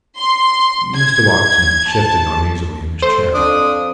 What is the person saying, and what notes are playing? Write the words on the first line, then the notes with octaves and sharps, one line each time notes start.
Mr. Watson shifted uneasily in his chair.
C6
G#6
A5
A3 C5
F2 D4 D#6